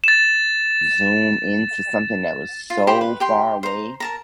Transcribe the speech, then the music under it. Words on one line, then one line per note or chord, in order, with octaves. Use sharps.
zoom into something that was so far away
A6 E7
F4
G4 C5 G5 B5
B4
G4 G5 C6
C5 A#5
A#4 A5 A#5